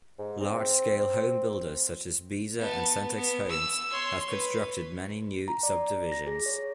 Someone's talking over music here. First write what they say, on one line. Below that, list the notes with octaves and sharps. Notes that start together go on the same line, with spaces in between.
Large-scale home builders such as Beazer and Centex Homes have constructed many new subdivisions.
G#2
C4
B3 A5
B3
E6
C#5 C6
B4
A#5
D5
A#6
G#4
C#5